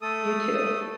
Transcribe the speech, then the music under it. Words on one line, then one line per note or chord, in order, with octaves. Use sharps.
you too,
A3 A4 D#6